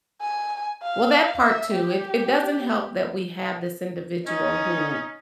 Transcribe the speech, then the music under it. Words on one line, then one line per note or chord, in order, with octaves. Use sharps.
Well, that part too, it it doesn't help that we have this individual who
G#5
F5
E5
G4
C#4 D#4